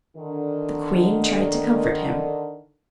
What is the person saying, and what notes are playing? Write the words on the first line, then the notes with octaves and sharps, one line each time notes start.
The queen tried to comfort him.
D3 D#3